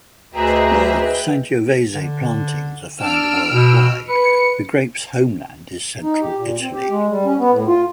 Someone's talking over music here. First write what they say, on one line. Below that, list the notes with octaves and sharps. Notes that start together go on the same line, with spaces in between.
While Sangiovese plantings are found worldwide, the grape's homeland is central Italy.
D2 G#4 B4 C5 D#5 E5 G5 A#5
D3
D4 E6 F6 D7
B2
B4 C#7
D#4
G4
A#2
C4
G4
G#3
G3
C#4
B3
A2
F4